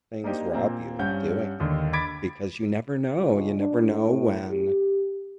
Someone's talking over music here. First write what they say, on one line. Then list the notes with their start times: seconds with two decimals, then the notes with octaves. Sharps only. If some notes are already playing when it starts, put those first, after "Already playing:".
things rob you of doing that. Because you never know you never know when
0.24 A#3 D4 D#4 G4 C5
0.54 A#2 A#3 C4
0.99 G2 C#4 F#5 G6
1.60 D#2 D3 D#3
1.93 B5 D6 G#6 A6 B6 D7
3.17 C#2
3.57 D4
3.87 A2
4.51 G4